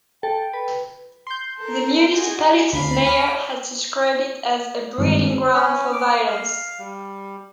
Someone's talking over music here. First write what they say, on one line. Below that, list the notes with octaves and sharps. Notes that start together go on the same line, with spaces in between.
The municipality's mayor has described it as "a breeding ground for violence".
A4 G5
B4
C6 G6
A4 A#4
F#4 G#4
D2 F5 B5
B5 D6 F6 B6
G#1 G2 D#3
C#4
D6
F5
G3